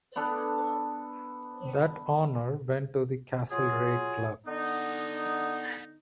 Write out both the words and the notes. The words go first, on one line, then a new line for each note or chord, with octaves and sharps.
That honour went to the Castlereagh Club.
B3 D4 A4 B4
F#3 F4 G#4
D3 B3 D#4